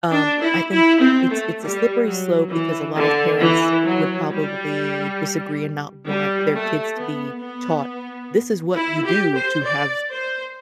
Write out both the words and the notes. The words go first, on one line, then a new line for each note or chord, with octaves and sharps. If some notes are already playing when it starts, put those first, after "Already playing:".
um, I think it's it's a slippery slope because a lot of parents would probably disagree and not want their kids to be taught, "This is what you do to have,"
D4
E4
E4
C4
A3
G3
F#3
E3
D3
E3
F#3
G3
G3
A3
B3
B3
E4
G4
C5
D5
C5